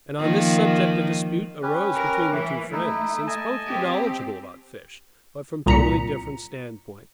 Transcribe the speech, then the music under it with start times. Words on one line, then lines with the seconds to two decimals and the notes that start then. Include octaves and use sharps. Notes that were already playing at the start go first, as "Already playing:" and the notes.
And on this subject a dispute arose between the two friends, since both were knowledgeable about fish, but from totally different standpoints.
0.20 D#3 F3 A#3
1.63 C#4 G4 B4
1.94 A#4
2.34 E3
2.73 A3 D#4 E4
3.27 D#5 G#5 A5
3.66 C4 G4
5.66 C2 A#2 A#5 B6 C#7